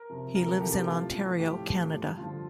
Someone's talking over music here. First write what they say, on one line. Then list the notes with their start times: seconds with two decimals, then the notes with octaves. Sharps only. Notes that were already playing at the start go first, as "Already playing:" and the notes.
He lives in Ontario, Canada.
Already playing: A#4
0.09 C3 F3
0.35 D2 A#4
0.49 A4
0.61 C3 F3 G4
0.74 G4
0.87 A2 F4
1.12 F3 A3
1.39 A2 G4
1.65 F3 A3
1.90 G2
2.17 D3 F3 A3 F4